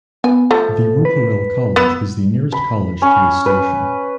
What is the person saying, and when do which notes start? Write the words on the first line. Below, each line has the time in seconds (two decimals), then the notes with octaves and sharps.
The Ruparel College is the nearest college to this station.
0.24 B3 G#5
0.51 F3 A3 A4
1.05 B4
1.76 B3 E6
2.53 B5
3.02 C#4
3.46 B4